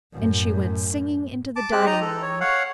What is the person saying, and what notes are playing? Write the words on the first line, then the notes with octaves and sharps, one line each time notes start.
And she went singing into the dining-room.
F#2 A2
A5 D6
G#3 C4 G4 F#6
D#4 D#5 A#5
A4
C#5
C#5 F5 F#5